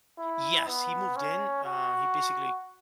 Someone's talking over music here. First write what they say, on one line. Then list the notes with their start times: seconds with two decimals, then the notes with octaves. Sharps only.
Yes, he moved in. Uh, he basically
0.18 E4
0.67 B3
1.16 C#4
1.65 F#4